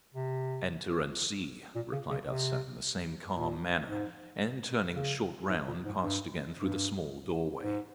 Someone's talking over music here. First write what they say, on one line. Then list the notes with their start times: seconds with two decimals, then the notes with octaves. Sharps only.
"Enter and see," replied Arsat, in the same calm manner, and turning short round, passed again through the small doorway.
0.14 C3
1.75 A#2
1.92 C#3
2.11 C#3
2.28 C3
3.36 A#2
3.88 G#2
4.95 C#3
5.49 G#2
5.67 A#2
5.85 G#2
6.02 G2
6.56 G2
7.63 G#2